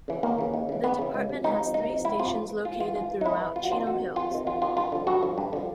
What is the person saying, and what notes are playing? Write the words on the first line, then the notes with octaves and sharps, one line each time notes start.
The department has three stations located throughout Chino Hills.
C#3 E3
D#2 A#3
C#3 E3
D#2
C#3 E3
D#2 B3
C#3 E3
C#2
C3 F3
C#2 D#4
C3 F3
C#2 D#4
C3 F3
C#2 E4
C3 F3 F4
G#2
E3
G#2 F4
E3 F4
G#2 F4
E3
D#4
G#2 E4
E3
F2 F4
F#4
C3 D#3 F4
F2 F#4
C3 D#3
F2 F4
C3 D#3
F2 F4
C3 D#3 F4
G2 F4
D3 F3
G2 F#4
D3 F3
G2
D3 F3